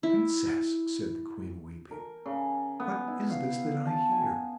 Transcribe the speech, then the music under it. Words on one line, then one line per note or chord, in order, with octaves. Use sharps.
Princess," said the Queen, weeping, "what is this that I hear?
E4
A#4
C#3
B3
E4
F5
A5
G#5